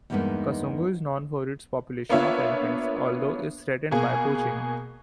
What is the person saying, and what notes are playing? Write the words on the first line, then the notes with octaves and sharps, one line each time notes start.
Kasungu is known for its population of elephants although is threatened by poaching.
E2 G2 G#3 A#3 B3 D#4
A#3 B3 D4 F4 C#5 E5
B2 A#3 G#4